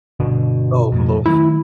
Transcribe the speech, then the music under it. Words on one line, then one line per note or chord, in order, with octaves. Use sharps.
Oh, hello.
G1 B2 D3
F2 A2
D#3 F#3 A3 E4